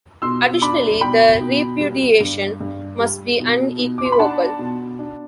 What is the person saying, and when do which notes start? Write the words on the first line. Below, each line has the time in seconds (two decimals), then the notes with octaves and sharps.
Additionally, the repudiation must be unequivocal.
0.22 B2 C6 E6
0.62 D4 B5 D6
1.01 B2 G5 B5
1.41 B2
1.81 G3
2.20 G2
2.60 G2
3.00 G3
3.40 B2
3.79 B2
3.98 D6
4.05 C6
4.12 B5
4.19 D4 F#5 A5
4.59 B2
4.99 D4